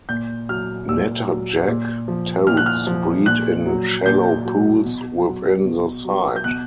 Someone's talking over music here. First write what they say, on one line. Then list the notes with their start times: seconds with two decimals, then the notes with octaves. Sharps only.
Natterjack toads breed in shallow pools within the site.
0.09 A#2 G6
0.49 F#3 F6
0.89 A#2 E6
1.28 F#3
1.68 A#2
2.08 F3
2.47 A#2 F6
2.57 F#6
2.66 F6
2.87 F3
3.26 A#2 F#6
3.66 F#3
4.06 A#2 G6
4.45 F#3
4.85 B2
5.24 F#3
5.65 B2
6.05 F#3
6.36 G6
6.44 B2 F#6